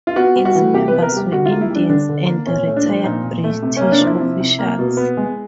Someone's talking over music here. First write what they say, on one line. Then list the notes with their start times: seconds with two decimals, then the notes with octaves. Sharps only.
Its members were Indians and retired British officials.
0.07 F4
0.16 B3 F#4
0.36 G3
0.45 F#4
0.55 E3
0.73 C3 G4
0.88 B3 B4
1.02 A#4
1.12 G3 G4
1.32 D3 F#4
1.46 F4
1.51 A#3
1.61 E4
1.70 G3
1.75 D4
1.89 D3 D4
2.09 D3
2.27 A#3
2.47 A#2 C#4
2.67 A3
2.76 D4
2.86 F3
3.04 A#2 D#4
3.23 A#2
3.44 A3
3.62 C3
3.77 A#3 C#4
3.92 D4
4.01 F3 E4
4.20 C3
4.39 C3
4.59 A#3
4.79 B2
4.97 B3
5.17 G#3